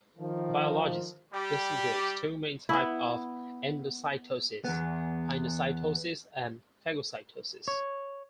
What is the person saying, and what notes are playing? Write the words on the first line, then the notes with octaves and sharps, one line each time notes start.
Biologists distinguish two main types of endocytosis: pinocytosis and phagocytosis.
D#3 F3
G3 G4
B3 E4
E2 B3
C#5